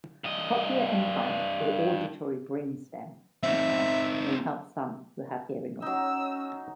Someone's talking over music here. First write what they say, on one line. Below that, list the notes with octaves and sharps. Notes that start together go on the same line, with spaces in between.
A cochlear implant or auditory brainstem implant may help some who have hearing loss.
G2 D#5
C4 D#4 E5
F#3 C#4 D#4 E6